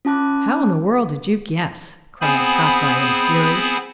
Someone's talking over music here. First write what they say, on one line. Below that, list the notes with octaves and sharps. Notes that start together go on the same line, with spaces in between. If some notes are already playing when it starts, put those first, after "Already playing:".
'How in the world did you guess?' cried Kostiei in a fury.
C#4 F4 A5 D6 F#6
B3 C4 G#4 C5 G#5 B5